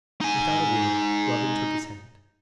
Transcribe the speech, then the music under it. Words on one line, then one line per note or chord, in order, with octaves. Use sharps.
Without a word, Robin took his hand.
D#4 G#5